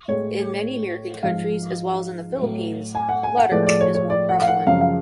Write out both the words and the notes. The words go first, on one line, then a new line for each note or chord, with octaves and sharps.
In many American countries as well as in The Philippines, 'Letter' is more prevalent.
A2 G#3 C#5
G#2 F3 G#3 F5
A2 F#3
G#5
F#5
G#5
F#5
A2 F3 G#3 D5
D5
C#5
C#5
D5
F#5
F5
F#5
F#2 C#3 F3 G#3 F5
F5